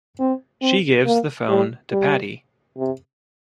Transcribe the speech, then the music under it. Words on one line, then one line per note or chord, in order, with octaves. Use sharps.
She gives the phone to Patty.
C4
C4
A#3
G3
G3
C3